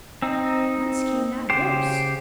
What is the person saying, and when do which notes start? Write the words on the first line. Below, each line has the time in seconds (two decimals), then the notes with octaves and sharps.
Whence came that horse?
0.22 C4 D#4
1.50 C#3 G4 C5